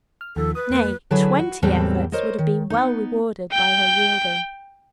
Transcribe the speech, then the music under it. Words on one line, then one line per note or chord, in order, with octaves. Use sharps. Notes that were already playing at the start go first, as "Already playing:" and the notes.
Nay, twenty efforts would have been well rewarded by her yielding.
F6
D#2 D#3 F3 A4
B4 D#6
F2 A#3
D3 F#3 D4 E4 G#4 B4
F#4
E2 A2 F#3 G3 C4 A4
A#4 C5 C#5 D#5
D#3
B3 D#4
G5 G6